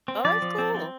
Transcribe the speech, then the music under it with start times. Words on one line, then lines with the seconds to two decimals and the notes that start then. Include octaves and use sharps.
Oh, that's cool.
0.08 C4
0.25 F3 D5
0.42 F3
0.58 C4
0.75 C4